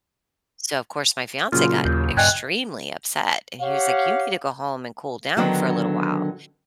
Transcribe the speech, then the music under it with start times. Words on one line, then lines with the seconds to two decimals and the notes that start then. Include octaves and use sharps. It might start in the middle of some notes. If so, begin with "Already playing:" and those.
so, of course, my fiance got extremely upset, and he was, like, "You need to go home and cool down for a little while.
1.52 A#2 C#3 F#3 F4 F6
1.85 D#2 F4 G6
2.17 G2 D5 D#5 G5 G#5 F#6 G#6
3.60 G4 C#5 F5 F#5
5.37 D3 D#3 F#3 B3 D4